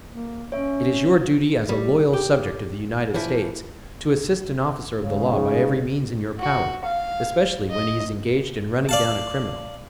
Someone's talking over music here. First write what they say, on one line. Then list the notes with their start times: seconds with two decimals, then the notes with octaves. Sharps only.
It is your duty, as a loyal subject of the United States, to assist an officer of the law by every means in your power, especially when he is engaged in running down a criminal.
0.10 A#3
0.52 C#4 C#5 E5
1.69 G3
2.13 G4
3.14 E3 F3 E4
4.99 G#2 C#3
6.39 F#4
6.85 F5
7.71 D#5
8.89 D5 F5 A5